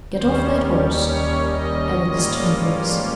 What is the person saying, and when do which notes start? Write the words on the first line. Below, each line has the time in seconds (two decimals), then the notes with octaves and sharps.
"Get off that horse," added the stern voice.
0.14 D#2 D#3 G3 C#4 C5
1.06 C#5
1.52 D#5
1.98 G#2 G3 A#3 C#4 F4